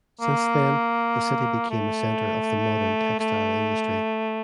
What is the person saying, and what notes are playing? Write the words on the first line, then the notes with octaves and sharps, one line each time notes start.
Since then, the city became a center of the modern textile industry.
A#3
A3
A3